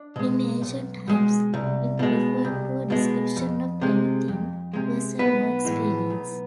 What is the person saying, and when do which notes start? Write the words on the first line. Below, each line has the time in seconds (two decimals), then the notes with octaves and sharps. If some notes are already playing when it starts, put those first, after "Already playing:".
In ancient times, it referred to a description of any thing, person, or experience.
Already playing: D4
0.16 B2 G#3
0.62 B1
1.07 B2 G#3
1.54 C2
1.99 B2 G#3
2.45 C2
2.90 B2 G#3
3.36 F2
3.81 C3 G#3
4.28 F2
4.73 C3 G#3
5.19 B1 B3 B4
5.65 A2 E3 G#3
6.10 B1